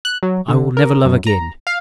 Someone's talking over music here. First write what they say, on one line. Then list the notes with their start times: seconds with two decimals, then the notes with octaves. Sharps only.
I will never love again.
0.05 F#6
0.23 F#3
0.48 D3
0.77 A#4
1.05 F#2
1.27 A#5
1.67 F5